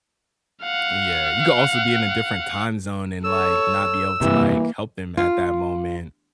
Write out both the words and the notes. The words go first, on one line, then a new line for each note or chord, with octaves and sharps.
Yeah, you could also be in a different time zone, and, like, not be able to, like, help them at that moment.
F5 F#5
A4 C#5 E6
G2 C3 E3 A#3
F4